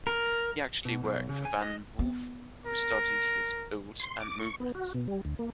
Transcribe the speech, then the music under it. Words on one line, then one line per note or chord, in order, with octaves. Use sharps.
He actually worked for Van Wouw who studied his build and movements.
A#4
B2
B1
C#3
G#5
D#5
B3
A#4
C6
D6
C#6
B3
F#4
B2
G3
D2
A#3